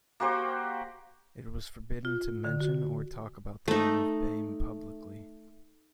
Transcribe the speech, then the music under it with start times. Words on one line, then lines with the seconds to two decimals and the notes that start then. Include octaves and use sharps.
It was forbidden to mention or talk about the name of Baiame publicly.
0.20 A#3 F#4 G4 C5
2.05 F4
2.45 D3
2.60 F#4
3.68 A3 D#4